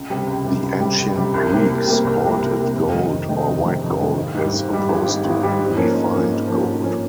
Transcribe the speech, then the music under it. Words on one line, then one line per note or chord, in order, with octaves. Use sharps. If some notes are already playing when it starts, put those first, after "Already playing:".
The ancient Greeks called it 'gold' or 'white gold', as opposed to 'refined gold'.
Already playing: C#2
C3 G3
C#2
C3 G3
C#2
C3 G3
C#2
C3 G3
C2
C3 G3 A#3
C2
C3 G3 A#3
C2
C3 G3 A#3
C2
C3 G3 A#3
F2
C3 D#3 G#3 D#4
F2
C3 D#3 G#3 D#4
F2
C3 D#3 G#3 D#4
F2
C3 D#3 G#3 D#4
G#1
G#2 G3
G#1
G#2 G3
G#1
G#2 G3
G#1
G#2 G3
G#2
F3 A#3 C#4
G#2
F3 A#3 C#4
G#2
F3 A#3 C#4
G#2
F3 A#3 C#4